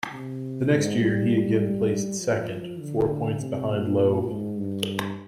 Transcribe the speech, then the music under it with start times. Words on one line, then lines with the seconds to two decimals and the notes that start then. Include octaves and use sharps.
The next year he again placed second, four points behind Loeb.
0.11 C3
0.72 G#2
1.01 G3
2.20 F3
2.79 D3
3.39 C3
3.69 A#2
4.28 G#2
4.57 G2